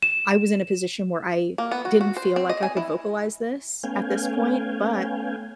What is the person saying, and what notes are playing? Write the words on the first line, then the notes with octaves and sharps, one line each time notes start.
"I was in a position where I didn't feel like I could vocalize this at this point," but,
E7
A#3
B3
F#4
F#4
C5
C4
D#5
G#5
E4
A3 B3 C#4 F5 G5 G#5